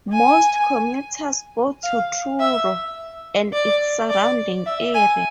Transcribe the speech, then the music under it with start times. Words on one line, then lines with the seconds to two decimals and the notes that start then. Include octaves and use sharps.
Most commuters go to Truro and its surrounding area.
0.13 G#5
1.83 F5
2.39 E5
3.53 D5
4.10 D5
4.66 E5
4.94 G#5